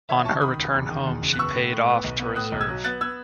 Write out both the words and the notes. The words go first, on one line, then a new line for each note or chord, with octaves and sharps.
On her return home she paid off to reserve.
D#3 C#5 E5
F#1 A5 C#6
D#3 B5 D#6
F#1
E2
D#3
E2
F#1
F#6
B3 C#6 E6
A2
A2
B3
B1
B3
A2 D#6 F#6
B1
E6 G#6
F#3
B3 F#6 A6
B3 E6 G#6